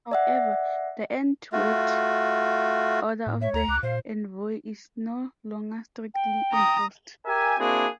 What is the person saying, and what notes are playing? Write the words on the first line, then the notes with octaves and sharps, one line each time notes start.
However, the end-word order of the envoi is no longer strictly enforced.
D5 E5 F#5
A3 F4 F#4
A2
C#5 E5
D2 A#5
C#2 D6 F#6
A#2 C5 F5
G5
A#5 D#6
G4 A#4 E5 G#5
A#3 C4 D4 E4 F#4 G#4